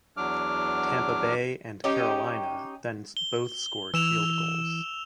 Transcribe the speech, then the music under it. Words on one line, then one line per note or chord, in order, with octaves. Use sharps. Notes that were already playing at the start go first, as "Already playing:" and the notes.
Tampa Bay and Carolina then both scored field goals.
E2 F#3 D4 D6 F6
C#4 D#4 G4
G7
E3 E6 E7 F7